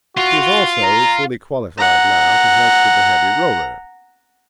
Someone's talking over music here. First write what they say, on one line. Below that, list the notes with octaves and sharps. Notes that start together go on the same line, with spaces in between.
She is also fully qualified now to help with the heavy roller.
F4 F#4
A#5
F#5 A#5